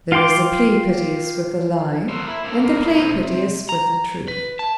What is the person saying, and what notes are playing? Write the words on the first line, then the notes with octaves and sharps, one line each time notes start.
There is the plea piteous with a lie, and the plea piteous with a truth.
F4 F5 G5 C6 D6
F#4 A4 A#4 C5
E4
A#3 C4 A4
A2 A#3
A#2 D#3 E3 F#3 A3 C4
C3
A#5
B4
A5